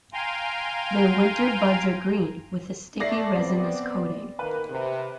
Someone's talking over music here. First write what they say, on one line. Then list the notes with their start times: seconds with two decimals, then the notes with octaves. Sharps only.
The winter buds are green, with a sticky resinous coating.
0.13 F5 G5 G#5 A#5 C6
3.00 A3 D5 A#6 C7
3.36 B3 C4 D5
4.39 D#3 A#3 B4
4.69 C3